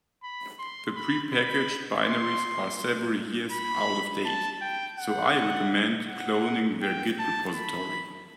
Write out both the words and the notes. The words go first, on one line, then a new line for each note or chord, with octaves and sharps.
The prepackaged binaries are several years out of date, so I recommend cloning their git repository.
B5
C6
B5
B5
C6
B5
A5
G5
F#5
F#5
G5
A5
B5